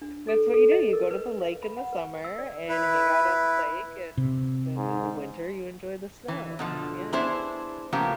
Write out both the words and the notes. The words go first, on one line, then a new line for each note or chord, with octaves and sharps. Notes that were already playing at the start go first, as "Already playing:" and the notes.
That's what you do, you go to the lake in the summer and hang out on the lake, and then in the winter you enjoy the snow, yeah.
D4
A4
A4
D#5
A#4
B4
F5
B5
F#5
B4
E6
D5
E4 B4
C3
G#2
E3
B2 D3 F3
B3 D4 E4 G#4 C5
A2 C#3 F3 A#3 B3 G4